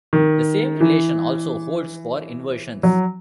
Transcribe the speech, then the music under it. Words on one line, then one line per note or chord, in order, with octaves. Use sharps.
The same relation also holds for inversions.
D#3
E3
F#3